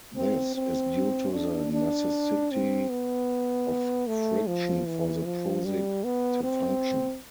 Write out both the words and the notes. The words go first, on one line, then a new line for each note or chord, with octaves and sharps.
This is due to the necessity of friction for the Prusik to function.
C4
C4
D4
D4
C4
B3
A3
F3
E3
F3
G3
B3
C4